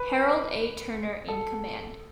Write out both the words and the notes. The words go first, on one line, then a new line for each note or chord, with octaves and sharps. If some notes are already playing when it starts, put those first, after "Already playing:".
Harold A. Turner in command.
Already playing: B4
A4